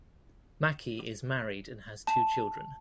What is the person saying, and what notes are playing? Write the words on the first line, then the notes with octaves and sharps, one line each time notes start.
Mackie is married and has two children.
A5